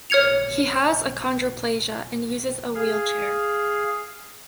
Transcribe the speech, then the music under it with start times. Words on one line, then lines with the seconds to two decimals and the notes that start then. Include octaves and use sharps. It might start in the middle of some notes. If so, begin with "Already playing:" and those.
He has achondroplasia and uses a wheelchair.
0.10 C#5 F6 G#6 C#7 F7
2.75 G#4 F5